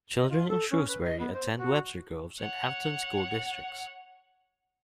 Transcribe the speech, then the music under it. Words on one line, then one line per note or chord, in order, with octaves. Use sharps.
Children in Shrewsbury attend Webster Groves and Affton school districts.
D#5
F4
A4
C#4
B4
D#5
B3
C5
F#4
C#5 F#5